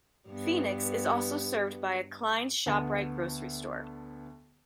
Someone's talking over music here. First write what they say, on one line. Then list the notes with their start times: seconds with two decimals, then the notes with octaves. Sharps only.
Phoenix is also served by a Kleins Shoprite grocery store.
0.28 G2 B3
2.66 D2 B3 A5